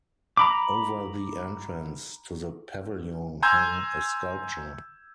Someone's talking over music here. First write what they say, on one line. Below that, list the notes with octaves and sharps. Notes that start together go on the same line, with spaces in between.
Over the entrance to the pavilion hung a sculpture.
A#5 B5 D6
G#5 A#5 C6 E6 G6 G#6